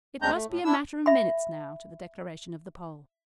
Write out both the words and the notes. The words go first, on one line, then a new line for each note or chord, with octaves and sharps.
It must be a matter of minutes now to the declaration of the poll.
D2 G#3 C4 D4 A#5 G6
A3
A2
D4 E4 E6
E5 B5